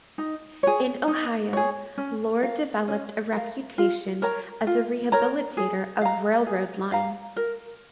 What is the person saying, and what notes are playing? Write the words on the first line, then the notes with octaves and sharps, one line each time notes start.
In Ohio, Lord developed a reputation as a rehabilitator of railroad lines.
D#4
G#4 C#5
D#4
G#4 C#5
C#4
A#4 F5
C#4
A#4 F5
F4
A#4 C#5 A#5
F4
A#4 C#5 A#5
G#4
F5 A#5
G#4
F5 A#5
A#4